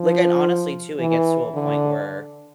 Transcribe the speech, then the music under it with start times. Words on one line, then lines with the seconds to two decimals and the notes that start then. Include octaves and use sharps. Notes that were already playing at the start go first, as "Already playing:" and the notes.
like, and, honestly, too, it gets to a point where
Already playing: F3
0.99 E3
1.54 D3